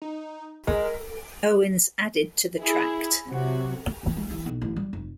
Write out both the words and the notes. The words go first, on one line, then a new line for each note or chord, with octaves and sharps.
Owens added to the tract.
D#4
G#3 A#4
E4 G#4
C3 F#3 F#4
E3
G#3
E3
B1
A1
G3
F1